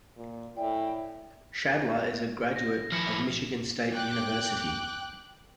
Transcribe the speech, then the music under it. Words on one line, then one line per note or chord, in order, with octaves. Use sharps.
Schadler is a graduate of Michigan State University.
A#2
A2 E4 D5 E5 G5 G#5
A#6
F3 E4 F6 C#7 E7
G5 D6 F#6